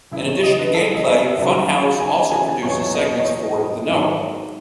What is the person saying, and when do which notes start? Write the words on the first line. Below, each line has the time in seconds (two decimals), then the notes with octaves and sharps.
In addition to gameplay, Funhaus also produces segments for The Know.
0.12 C#2 C#3 E3 E4
0.28 C#5
0.43 D#5
0.59 B4
0.74 A4
0.95 D#5
1.06 E5
1.37 D#2 C#3 F#3
2.00 G#5
2.31 G#5
2.62 E2 B2 F#3 C#5
2.95 D#5
3.19 C#5
3.26 D#5
3.88 G#1 G#2 D#3 F#3